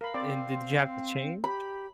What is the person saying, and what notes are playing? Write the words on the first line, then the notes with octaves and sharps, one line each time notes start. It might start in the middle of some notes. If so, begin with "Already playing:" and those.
and did you have to change?
A#4 F5 B5
C4 D5
G4 B5